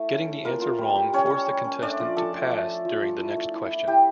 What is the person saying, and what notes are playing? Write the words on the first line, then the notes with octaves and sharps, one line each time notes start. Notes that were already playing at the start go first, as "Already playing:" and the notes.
Getting the answer wrong forced the contestant to pass during the next question.
Already playing: A3 E4 A4
C#4
A3
A#3 F4 A#4
F4
G3
G3
G3 C#4 C#5
G3
G3
C#4
A3 D4 D5
F3
F3 A4 A5
A3
F3
A3
F3
F3
E4
A3
E4
E4
E4 G4 G5